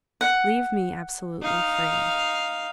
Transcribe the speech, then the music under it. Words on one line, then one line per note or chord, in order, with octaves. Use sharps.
Leave me absolutely free.
F#5
D#4 F5